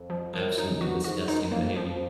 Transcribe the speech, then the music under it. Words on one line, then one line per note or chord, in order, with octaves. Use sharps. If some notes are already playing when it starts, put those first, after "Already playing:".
Absolutely disgusting behavior.
Already playing: F2
F3
F#2 F3
D#4
G2 F#4
G2
G#2 F#4
F#2 D#4
E2
F2 A#3
F3